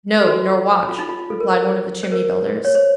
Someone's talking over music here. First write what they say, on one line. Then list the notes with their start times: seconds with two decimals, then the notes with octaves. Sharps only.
"No, nor watch," replied one of the "chimney-builders."
0.21 A4
0.27 F#4
0.89 F4
0.99 D#4
1.09 F4
1.19 F4
1.30 A4
1.40 A#4
1.50 C5
2.03 C5
2.12 A#4
2.65 C#5
2.75 C5